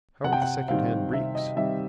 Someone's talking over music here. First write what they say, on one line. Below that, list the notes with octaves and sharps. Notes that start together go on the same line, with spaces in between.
How are the secondhand breeks?
C3 F#5
G5
F#5
D#3 G3 C4 F5
C3 E5
D#5
D#3 G3 C4 E5